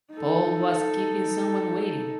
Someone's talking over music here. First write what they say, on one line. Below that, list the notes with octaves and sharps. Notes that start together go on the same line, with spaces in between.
Paul was keeping someone waiting.
D#4 A4